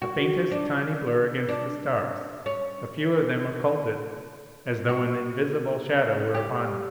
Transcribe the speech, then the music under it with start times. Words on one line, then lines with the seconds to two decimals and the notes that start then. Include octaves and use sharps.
A faintest, tiny blur against the stars, a few of them occulted as though an invisible shadow were upon them.
0.02 F#4
0.51 D4
1.48 D4
2.46 C#4
4.89 F#4
6.34 G4